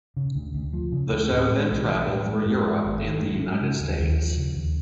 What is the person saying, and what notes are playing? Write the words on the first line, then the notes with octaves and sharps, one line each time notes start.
The show then traveled through Europe and the United States.
C#3
D2
D2
F3
C#3
D2
A2
G#3
B1
E3
A2
G#3
G#2
G#3
G#1
D#3
G#2
G#3
C#3
D#2
D#2
F3
C#3
D#2